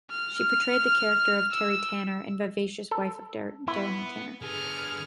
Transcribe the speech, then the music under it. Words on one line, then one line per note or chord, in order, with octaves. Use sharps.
She portrayed the character of Teri Tanner, the vivacious wife of Danny Tanner.
F6
E6
A4
B3 E4
D3 B3 G#4 F6